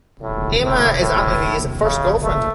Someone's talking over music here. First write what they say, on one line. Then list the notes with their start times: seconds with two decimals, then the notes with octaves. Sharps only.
Emma is Antony's first girlfriend.
0.22 A2
0.63 A2
1.02 A2
1.84 C#3
2.23 A3